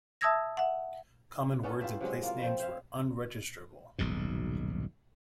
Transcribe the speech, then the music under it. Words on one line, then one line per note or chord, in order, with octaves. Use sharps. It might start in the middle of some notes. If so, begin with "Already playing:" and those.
Common words and placenames were unregisterable.
E5 A5 D#6 E6 G#6 A#6
E5 F#5
B3 C#4 D4 A4
E4 F4 G4 E5
C3 F#3 G#3
A#3 F4
F3 A3 C4
C5 E5 F5
D#1 B1 G#2 B2